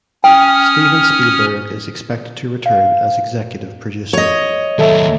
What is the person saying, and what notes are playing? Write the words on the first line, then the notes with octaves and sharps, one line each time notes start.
Steven Spielberg is expected to return as executive producer.
C#4 G5 D#6 F6
F5
C#5 D#5
D#2 F#3 A4 E5